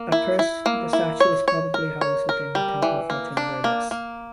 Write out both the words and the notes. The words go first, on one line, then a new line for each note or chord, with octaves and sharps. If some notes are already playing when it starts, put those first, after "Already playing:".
At first, the statue was probably housed within the temple to Fortuna Virilis.
Already playing: A#3
E4
E4
A#3
E4
C#5
C#5
A#4
C#5
A#4
G3
E3
A#3
D4
A#3
A#3